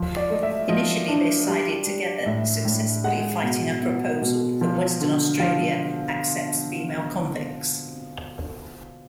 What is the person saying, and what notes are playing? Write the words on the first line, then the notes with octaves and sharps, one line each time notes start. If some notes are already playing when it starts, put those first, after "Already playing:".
Initially they sided together, successfully fighting a proposal that Western Australia accept female convicts.
Already playing: F3
D5
A3 D#5
E5
F3 D#5
D4
G3
G3
A2 E5
A2
G#3 F#5
B2
B2
B2
F3
D3
F3 F5